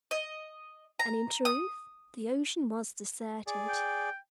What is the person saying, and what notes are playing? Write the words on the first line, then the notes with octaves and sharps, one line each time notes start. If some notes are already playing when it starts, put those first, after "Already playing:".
And in truth, the ocean was deserted.
D#5
A#5
D#6
G#4 D5
G5